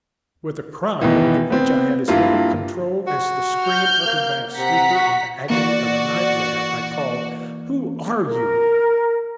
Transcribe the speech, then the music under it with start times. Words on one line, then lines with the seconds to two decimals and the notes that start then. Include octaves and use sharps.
With a cry, over which I had as little control as the scream uttered by a sleeper in the agony of a nightmare, I called: "Who are you?"
1.01 B2 D#3 E3
1.50 B3 C4
2.08 G2 A#3 E4 F4
3.07 F#4
3.61 F6 G6
4.06 A#3
4.55 C3 F#5 A#5 B6
4.95 F#4
5.50 E3 A#3 F#4 D5
8.26 A#4